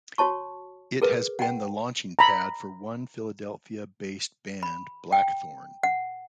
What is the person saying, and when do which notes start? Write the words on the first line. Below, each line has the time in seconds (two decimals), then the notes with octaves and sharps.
It has been the launching pad for one Philadelphia based band Blackthorne.
0.18 F#4 C#5 A5 C#6
1.02 G#4 A#4 B4
1.39 F#5 G5
2.19 A#5 B5
4.63 B5
5.12 G5
5.83 F#5